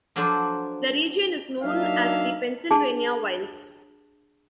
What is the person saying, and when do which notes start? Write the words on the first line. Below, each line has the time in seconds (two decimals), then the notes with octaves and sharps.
The region is known as the Pennsylvania Wilds.
0.16 F3 F#3 D4 F#4 A4 C5
1.63 F#3 A#3 D4 D#4 E5 F5
2.71 D4 G#4 A5